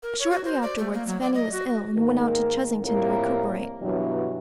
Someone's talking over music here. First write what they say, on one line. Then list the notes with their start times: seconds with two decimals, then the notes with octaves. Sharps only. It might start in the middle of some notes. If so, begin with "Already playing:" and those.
Shortly afterward Fanny was ill and went out to Chesington to recuperate.
0.03 A#4
0.20 C#5
0.31 F#4
0.45 C5
0.62 D5
0.78 A3
0.94 A#3
1.07 F#3
1.22 D5
1.34 D#5
1.52 F#4
1.97 G#2 D#3 A#3
2.82 F2 A2 G3 A#3 A#4
3.81 G2 B2 E3 F#3